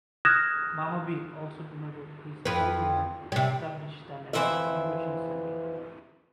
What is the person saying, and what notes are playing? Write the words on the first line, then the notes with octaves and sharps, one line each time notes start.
Mahabir also donated his own land to establish the National Innovation Center.
D#6 F6 F#6 G#6 A#6 E7
F2 B4
C3 G3
F2 C3 E3 C5 E5